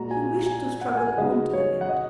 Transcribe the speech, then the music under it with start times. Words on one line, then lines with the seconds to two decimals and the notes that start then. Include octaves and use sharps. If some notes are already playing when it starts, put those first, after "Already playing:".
He wished to struggle on to the end.
Already playing: A#2 G#3 F#4 A#5
0.11 G#5
0.46 G#5
0.81 F#5
0.97 G#5
1.07 F#5
1.18 C#3 G#3 D#4 F#4 D#5
1.53 C#5
1.81 F#5
1.89 D#5